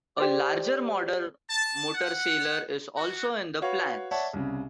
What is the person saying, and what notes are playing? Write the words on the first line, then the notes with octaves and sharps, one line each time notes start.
A larger model motorsailer is also in the plans.
G4 C5 D5
A5
F#5
F#4
F#4 B4 C#5 F5
C#5 D5 E5 F#5 A5
C2 C#3